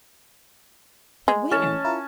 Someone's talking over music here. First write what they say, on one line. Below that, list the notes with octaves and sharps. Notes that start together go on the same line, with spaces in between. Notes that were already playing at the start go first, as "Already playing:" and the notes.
"But where?"
G#3
E3 A3 C#4 A5
E4 F4 A#4